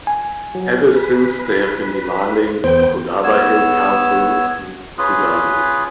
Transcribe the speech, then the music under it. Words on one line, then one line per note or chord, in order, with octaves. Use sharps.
Ever since they have been demanding a Kodava hill council in Kodagu.
G#5
F#3
B4
E2 B3 C5 G5
B3 C#5 E6
C#4 F4 G#4 B4